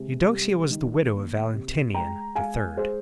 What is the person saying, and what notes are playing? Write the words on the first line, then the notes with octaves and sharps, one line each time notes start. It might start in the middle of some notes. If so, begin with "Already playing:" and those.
Eudoxia was the widow of Valentinian III.
Already playing: C3 G#3
G3
D#3
A#3
C3
G#3 G5 A#5
G#3 F5 G#5
G#3 G#4 C5